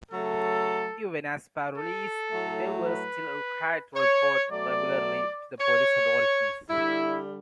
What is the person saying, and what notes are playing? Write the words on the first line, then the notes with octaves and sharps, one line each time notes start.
Even as parolees, they were still required to report regularly to the police authorities.
C#3 F#3 A3 A4
A4
A2 F#3 A3
B4
C#5
B2 F#3 A3 D5
C#5
D3 G3 E4